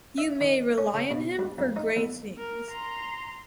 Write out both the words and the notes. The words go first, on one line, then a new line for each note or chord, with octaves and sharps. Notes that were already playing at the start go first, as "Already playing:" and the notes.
You may rely on him for great things.
E5
D#3
C#4
C#3
B2
G2
F2
D#4
E2
A#4
A#5 C6